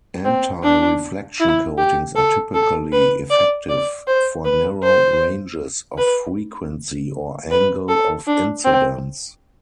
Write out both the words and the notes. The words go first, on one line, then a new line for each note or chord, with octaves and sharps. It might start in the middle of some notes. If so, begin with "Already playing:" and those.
Antireflection coatings are typically effective for narrow ranges of frequency or angle of incidence.
C4
D4
E4
G4
A4
A4
B4
D5
D5
C5
B4
C5
B4
B4
A4
D4
C4